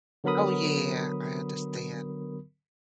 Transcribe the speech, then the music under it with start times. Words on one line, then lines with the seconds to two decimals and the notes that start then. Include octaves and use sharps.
Oh, yeah. I understand.
0.24 D3 F#3 B3 A#4 B5 D#6